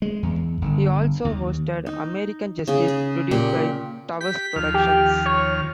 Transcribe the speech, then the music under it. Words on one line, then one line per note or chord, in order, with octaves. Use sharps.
He also hosted "American Justice", produced by Towers Productions.
G#3
E2
G1
D#2
D#4
C#3 G#4
G#4
A#2 G4
G4 B6
D#2 F3 F6
G4
C#5